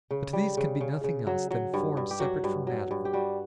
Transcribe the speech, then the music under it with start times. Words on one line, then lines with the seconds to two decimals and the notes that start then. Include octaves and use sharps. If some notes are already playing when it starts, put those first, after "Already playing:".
But these can be nothing else than forms separate from matter.
0.11 C#3
0.33 G3
0.57 C#3
0.81 C#3
1.04 C#3
1.27 F#3
1.51 F#3
1.74 G2
1.97 G2
2.11 G4
2.20 F#3 F#4
2.44 G2
2.67 F#3
2.91 G2
3.05 G4
3.13 G3 F#4